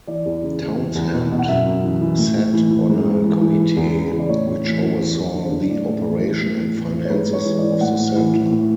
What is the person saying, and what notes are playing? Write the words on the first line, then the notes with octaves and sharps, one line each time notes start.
Townshend sat on a committee which oversaw the operation and finances of the centre.
E3 D5
E2
C#3
E2
E2
E2
B2
B2
F#5
F#2 E5
F#2
E3
E3
A2
A2
E3
E3
G#2
G#2
E3
E3
E3
E2
C#3
E2
D5
A2 C#5
A2
E3
E3
E2
E2
D3
D3
A2 D5
A2
E3
E3
A2
A2
E3
E3
C#5
G#2 B4
G#2
C#5
E3
E3 D5
A2 F#5
A2
E3
E3
A2